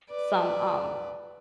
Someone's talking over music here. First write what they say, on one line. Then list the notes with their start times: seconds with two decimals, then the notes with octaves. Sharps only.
some, um,
0.10 B4 D5